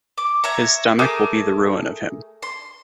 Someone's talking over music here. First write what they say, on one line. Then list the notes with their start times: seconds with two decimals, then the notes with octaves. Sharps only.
His stomach will be the ruin of him.
0.18 D6
0.44 C#5 E5 A#5
0.99 A3 G#4 A#4 D6
2.42 C6